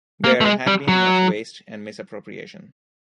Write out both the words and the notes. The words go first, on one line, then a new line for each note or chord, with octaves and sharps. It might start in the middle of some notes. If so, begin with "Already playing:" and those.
There had been much waste and misappropriation.
A#3
A3
G#3
G3
F#3